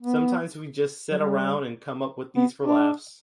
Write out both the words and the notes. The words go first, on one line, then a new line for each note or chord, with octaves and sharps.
Sometimes we just sit around and come up with these for laughs.
B3
F#3
G3
B3
D4